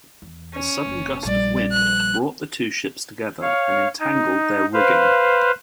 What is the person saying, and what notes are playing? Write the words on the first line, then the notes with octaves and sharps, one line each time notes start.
A sudden gust of wind brought the two ships together and entangled their rigging.
E2
C#4
F#1
A#1 G3 D5
F#6
C#5 F5
D#4
B4 C5 F5